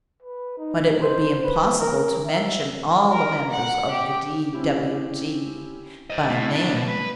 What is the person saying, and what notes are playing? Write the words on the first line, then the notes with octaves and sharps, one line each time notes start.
But it would be impossible to mention all the members of the D.W.T. by name.
B4
D#4
C5
B4
A#4
E5
A#4
F#5
G4
C4 C#4 E4 G4
C5 D#5
A2
D4 E4
B2
B4